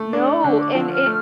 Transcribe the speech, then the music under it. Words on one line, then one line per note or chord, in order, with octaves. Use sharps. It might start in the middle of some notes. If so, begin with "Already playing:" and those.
No. And it
Already playing: A3
D4
C#6
D3 D6
D6
F3 E6
F6
A3